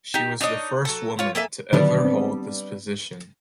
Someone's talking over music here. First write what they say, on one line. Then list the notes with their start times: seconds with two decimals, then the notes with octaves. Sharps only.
She was the first woman to ever hold this position.
0.14 D#4 G4
0.41 D4 D#4 C#5 D#5
0.85 F#3 A4
1.19 F4 C#5
1.35 A#3 A4 E5 G#5
1.73 D3 D#3 F#3 G3 B3 D4
2.05 C4